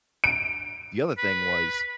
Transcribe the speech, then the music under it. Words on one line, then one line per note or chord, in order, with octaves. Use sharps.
the other thing was
D7
B4